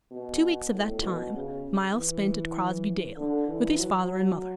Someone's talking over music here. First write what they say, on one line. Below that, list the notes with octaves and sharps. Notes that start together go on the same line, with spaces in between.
Two weeks of that time Myles spent at Crosbey-Dale with his father and mother.
B2
A2
B2
C#3
E3
D3
E3
F#3